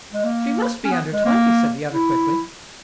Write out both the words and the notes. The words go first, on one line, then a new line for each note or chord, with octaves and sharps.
"She must be under twenty," said the other, quickly.
G#3
A#3
C#4
B3
G#3
A#3
E4